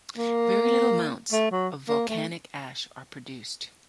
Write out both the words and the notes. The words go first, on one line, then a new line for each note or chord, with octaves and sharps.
Very little amounts of volcanic ash are produced.
A#3
A3
F#3
A#3
A3